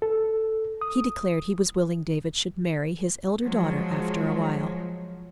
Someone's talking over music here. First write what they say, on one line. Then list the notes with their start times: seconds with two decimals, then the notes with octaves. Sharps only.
He declared he was willing David should marry his elder daughter after a while.
0.02 A4
0.81 D#6
3.42 F3 F#3 G#3